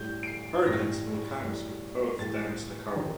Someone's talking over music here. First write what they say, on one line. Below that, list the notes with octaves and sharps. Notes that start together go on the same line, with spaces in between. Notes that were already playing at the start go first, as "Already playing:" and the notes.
Hurricanes and volcanoes would both damage the coral.
Already playing: A2 G3 G6
D7
C7
A2 G3 A#6
A2 G3
A2 G3 A6
D#3 G3